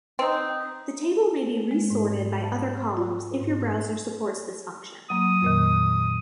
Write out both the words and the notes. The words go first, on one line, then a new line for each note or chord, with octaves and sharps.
The table may be resorted by other columns if your browser supports this function.
C4 D#4
G#3
G#2
A5
F4
G#2
F#3 A#3 D#6
F2 A#2 D#3